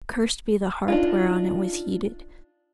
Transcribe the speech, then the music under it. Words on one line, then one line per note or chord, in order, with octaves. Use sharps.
Cursed be the hearth whereon it was heated!
D4 D#4 F4